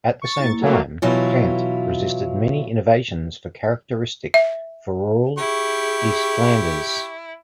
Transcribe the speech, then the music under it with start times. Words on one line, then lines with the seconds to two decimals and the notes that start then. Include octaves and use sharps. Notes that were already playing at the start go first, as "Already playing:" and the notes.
At the same time, Ghent resisted many innovations characteristic for rural East Flanders.
0.22 C#6 A6
0.40 A#3 E4
0.61 F#3 A3 A#3 A4
1.02 B2 E3 F#3 E4 F4
4.34 E5
5.38 E4 G4 G#4 C#6